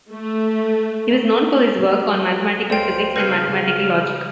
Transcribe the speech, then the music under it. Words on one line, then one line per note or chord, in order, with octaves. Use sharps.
He was known for his work on mathematical physics and mathematical logic.
A3
C#2 F4 A#4 C5 D5 G5
C#3 C4 D#4 G#4 B4 F6